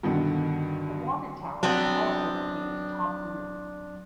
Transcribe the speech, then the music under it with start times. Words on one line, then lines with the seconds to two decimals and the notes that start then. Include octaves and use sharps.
A water tower is also located atop the roof.
0.03 G2 B2 D3 D#3
1.63 F#3 B3 C4 D4